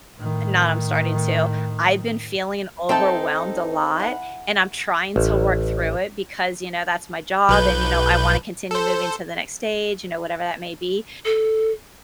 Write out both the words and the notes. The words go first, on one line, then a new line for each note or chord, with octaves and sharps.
not I'm starting to I've been feeling overwhelmed a lot, and I'm trying to work through it because, you know, that's my job, and, you know, I wanna continue moving to the next stage, you know, whatever that may be."
A2 D#3
C4 D#4 A4 C5 E5 A5
E3 F#5
A1
B1 B4 G6
A4 C5
A4